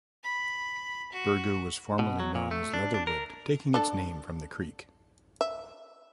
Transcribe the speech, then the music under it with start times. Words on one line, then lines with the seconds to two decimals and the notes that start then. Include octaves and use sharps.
Bergoo was formerly known as Leatherwood, taking its name from the creek.
0.23 B5
1.12 F#4
1.99 B2
2.20 F#3
2.35 A#2
2.51 A3
2.74 D4
2.94 D4
3.07 A#4
3.74 D4 A4
5.41 E5